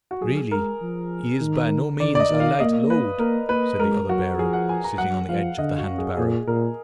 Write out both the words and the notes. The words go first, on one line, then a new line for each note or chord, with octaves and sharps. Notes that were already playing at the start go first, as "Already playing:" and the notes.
"Really, he is by no means a light load!" said the other bearer, sitting on the edge of the hand-barrow.
F#4
F#3 G#4
G#3 A#4
F3
D#3
D3 D5
D5
D#5
D#3
F5
A#3 D#5
B4
A#3 A#4
A#3 B4
G#3 A#4
F#3 F#4
F3 G#4
F#5
G#5
A#5
F#3 F#5
F3 F5
D3 D#5
F#4
F#2
G#4
A#2 G#4
A#2 A#4